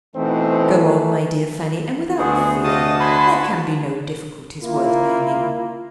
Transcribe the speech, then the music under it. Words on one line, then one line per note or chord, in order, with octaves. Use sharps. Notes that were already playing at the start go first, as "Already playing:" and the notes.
Go on, my dear Fanny, and without fear; there can be no difficulties worth naming.
B2 E3 A3 C4 D#4
D2 B3 C4 D4 F#4 G#4
F#4 G4 D#5 F5 A5 D#6
B4 C5 G#5 B5
A#3 E4 F4